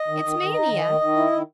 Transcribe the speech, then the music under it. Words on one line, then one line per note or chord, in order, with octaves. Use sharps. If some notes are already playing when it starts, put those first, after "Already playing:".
It's mania.
Already playing: D#5
D#3
D#3
D#3
D#4
D#3
D#3
D#3
E4
D#3